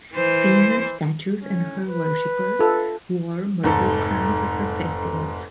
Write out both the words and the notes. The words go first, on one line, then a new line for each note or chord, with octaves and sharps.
Venus' statues, and her worshipers, wore myrtle crowns at her festivals.
E3 C5
A2 D3 C#4
B4
F4 A4
F1 G#2 A4